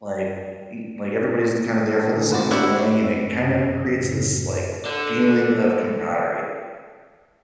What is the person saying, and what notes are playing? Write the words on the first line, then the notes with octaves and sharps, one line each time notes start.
Like, m like, everybody's kinda there for the same thing, and it kind of creates this, like, feeling of camaraderie,
A4
A2 D3 G#4
A#3 C4 F#4 B4 D5 F#5
A#3 D4 E4 F#4 G4
F#1 C4
C3
F#1
F#2 A2 C#3
A4 D5